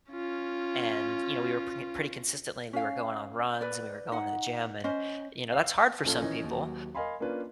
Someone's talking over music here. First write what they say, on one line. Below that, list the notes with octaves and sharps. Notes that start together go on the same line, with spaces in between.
and, you know, we were pr pretty consistently we were going on runs and we were going to the gym and, you know, that's hard for some people,
C#4 F4
C#4 F5
B4 D5
D#4 F#5
C#4 C5 D#5
F5 E6
A#1 C#4 F4 A4
D#3 E3 C#4 D#4 D#5
D#2 F#3
A#4 D#5 F5 G#5 B5 C6
A#3 C#4 D4 F4 B4